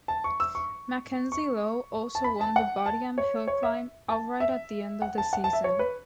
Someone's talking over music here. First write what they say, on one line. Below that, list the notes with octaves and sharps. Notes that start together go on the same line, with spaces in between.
Mackenzie-Low also won the Bodiam Hill Climb outright at the end of the season.
A5
C#6
E6
C#6
C#6
A5
B5
A5
F#5
A5
C#5
C#5
E5
A5
E5
F#5
A5
F#5
A5
E5
C#5
B4